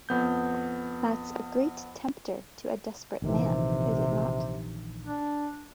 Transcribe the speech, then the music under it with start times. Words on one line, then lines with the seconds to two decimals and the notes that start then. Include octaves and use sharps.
That’s a great tempter to a desperate man, is it not?
0.09 F2 B3 G6
3.22 A#1 C3 D#3 E3
5.06 D4